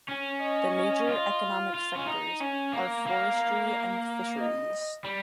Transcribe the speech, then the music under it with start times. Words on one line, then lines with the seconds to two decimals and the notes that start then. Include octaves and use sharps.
The major economic sectors are forestry and fisheries.
0.09 C#4
0.43 D#5
1.08 F4
1.75 F4
1.96 C#4
2.07 D#4
2.40 C#4
2.73 A#3
3.06 A#3 F5
4.38 D#5
5.04 G3